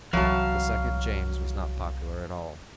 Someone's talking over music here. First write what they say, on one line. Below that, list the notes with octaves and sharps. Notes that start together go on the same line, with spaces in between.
The second James was not popular at all.
C2 D3 E3 F#3 F#4 F5 A5